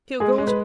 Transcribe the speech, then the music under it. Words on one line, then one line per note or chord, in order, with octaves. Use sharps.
'Here goes!
G#3 G#4
G#3
B4